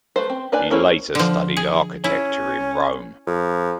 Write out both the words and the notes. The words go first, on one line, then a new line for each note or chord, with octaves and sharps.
He later studied architecture in Rome.
A3 B4 C5
C4
A#3 D4 B4 D5 G#5
A#3 C#4 E4 A4 C5
D3 F3
G#4
C#4 E4
F2